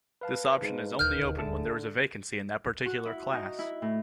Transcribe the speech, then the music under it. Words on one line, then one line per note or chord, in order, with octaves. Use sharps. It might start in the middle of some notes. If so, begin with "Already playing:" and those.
This option is only open when there is a vacancy in that particular class.
B4 F5 A5
G#2
D#1 D2 D#3 F6 G6
D3 G#4 E5 A5
F#4
E4
D#4
E4
A2